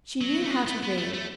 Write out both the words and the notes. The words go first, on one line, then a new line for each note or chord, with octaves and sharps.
She knew how to read.
F#3
A3
G#3
A3
B3
A3
A3